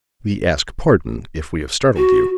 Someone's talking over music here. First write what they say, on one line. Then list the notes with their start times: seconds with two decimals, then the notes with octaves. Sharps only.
"We ask pardon if we have startled you."
1.97 F#4